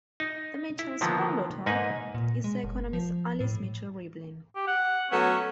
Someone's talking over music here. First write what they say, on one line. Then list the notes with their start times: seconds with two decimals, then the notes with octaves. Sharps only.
The Mitchells' granddaughter is the economist Alice Mitchell Rivlin.
0.20 D#4
0.79 E4
1.01 D3 D#3 F3 A#3 B3
1.66 G#2 A#3 D#4 B4 G#5
2.14 A#2
2.44 G#3
2.64 F#1
2.93 F3
3.40 A2
4.55 G4
4.67 F#5
5.11 F#3 A3 B3 C#4